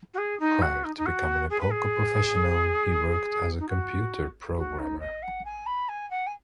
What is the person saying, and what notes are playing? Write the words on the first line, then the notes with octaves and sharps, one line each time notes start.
Prior to becoming a poker professional, he worked as a computer programmer.
F#4
G#4
D#4
F#4
D#4
D#4
F#4
G#4
B4
G#4
D#4
F#4
F#4
D#4
D#5
F#5
G#5
B5
G#5
F#5
G#5